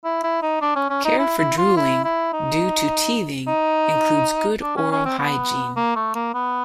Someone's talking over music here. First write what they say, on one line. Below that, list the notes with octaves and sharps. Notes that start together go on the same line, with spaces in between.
Care for drooling due to teething includes good oral hygiene.
E4
E4
D#4
D4
C#4
C#4
D#4
E4
E4
F4
E4
E4
D#4
D#4
D4
C#4
C#4
C4
B3
A#3
A3
A#3
B3